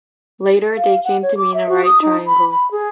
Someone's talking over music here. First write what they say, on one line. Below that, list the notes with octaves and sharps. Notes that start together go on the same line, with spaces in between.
Later, they came to mean a right triangle.
F5
F#5
C#5
D6
E5
F#4
D#6
D#4
B5
B5
G#4